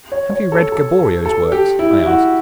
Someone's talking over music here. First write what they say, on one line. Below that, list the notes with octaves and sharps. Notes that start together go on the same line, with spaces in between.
"Have you read Gaboriau's works?" I asked.
C#5
C#5
A4
A4
A4
A4
G4
E4
E4
F#4